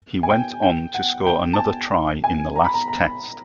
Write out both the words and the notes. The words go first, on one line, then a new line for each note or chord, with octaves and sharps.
He went on to score another try in the last Test.
G#5
G5
G5
F#5
G5
A5
G#5
G#5
A#5
B5
A#5
A#5